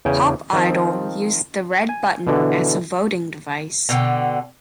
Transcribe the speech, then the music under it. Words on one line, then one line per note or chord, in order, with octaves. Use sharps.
"Pop Idol" used the red button as a voting device.
E2 C#3 G5 G#5
D#3 F3 C4
G#5
B2 D3 E3
B2 D3 G5